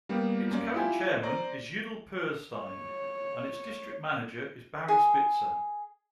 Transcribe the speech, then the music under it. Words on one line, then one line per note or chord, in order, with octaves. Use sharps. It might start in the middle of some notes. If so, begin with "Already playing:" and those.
Its current chairman is Yidel Perlstein, and its district manager is Barry Spitzer.
G3 A#3 B3 G4
F#2 A#3 D5
E4 F4 G4 G#5
C5 D5 A#5
C#5
G#4